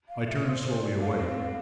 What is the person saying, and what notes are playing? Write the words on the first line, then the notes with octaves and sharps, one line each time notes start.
I turned slowly away.
F5
E5
C5
C5
D5
D4 F5
C4
F5
B3